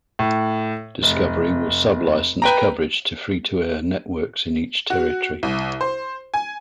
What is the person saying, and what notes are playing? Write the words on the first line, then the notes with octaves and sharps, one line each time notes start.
Discovery will sub-license coverage to free-to-air networks in each territory.
A2
F1
B4 G5 A#5
F#4
C2
C5
G#5